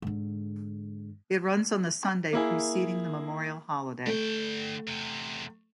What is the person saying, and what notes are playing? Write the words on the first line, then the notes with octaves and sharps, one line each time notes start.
It runs on the Sunday preceding the Memorial Day holiday.
G#2 D3
A#3 E4 G#4
D3 A3 G5
E2 C3